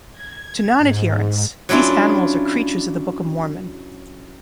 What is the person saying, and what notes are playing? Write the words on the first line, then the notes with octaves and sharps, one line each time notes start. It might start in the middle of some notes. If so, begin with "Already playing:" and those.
To non-adherents, these animals are creatures of the Book of Mormon.
G#6
G#2
F#3 C#4 D4 E4 F4